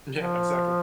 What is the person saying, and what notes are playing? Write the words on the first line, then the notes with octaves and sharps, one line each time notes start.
Yeah, exactly.
F3